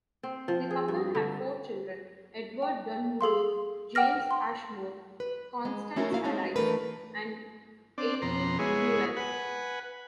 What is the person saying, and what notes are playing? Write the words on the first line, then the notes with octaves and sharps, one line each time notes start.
The couple had four children: Edward Dunwoodie, James Ashmore, Constance Alice, and Eileen Buell.
C4
F3
G#4
G2
D3
G5
G#4 A4 F5 C6
F#5 G5 D6 F6 A#6
C6
B4
G#3
A3 C#4 E4 F#4 A#4
A#3 E4 F5
G#3 C4 C#4 D#4 F#4
E3 A3 D4 A#4 B4
C4 D4 D5
F2 B2 A#5 C6
G#3 B3 E4 G#4 C#5
B4 F#5 G#5